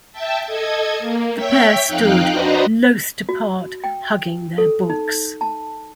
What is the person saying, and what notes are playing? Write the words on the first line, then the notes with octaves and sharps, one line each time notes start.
The pair stood, loth to part, hugging their books.
E5 G5 A5
A4 D#5 G#6
A#3
C#5 E5 G5 E6 B6
F2 D#4 F5 G5 F#6
D4 F#4 B4 C5 D#5 A#5
F#4
G5
A4
D#4
A5